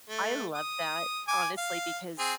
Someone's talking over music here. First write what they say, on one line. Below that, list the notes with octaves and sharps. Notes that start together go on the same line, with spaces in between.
I love that, honestly, because,
A3
D#6
G#5 D6
F5
C4 G#4